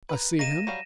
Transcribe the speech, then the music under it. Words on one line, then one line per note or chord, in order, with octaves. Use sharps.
I see him!'
B4 A#5
A#3 D#5 A#6 D#7 E7
F#3 G3 F5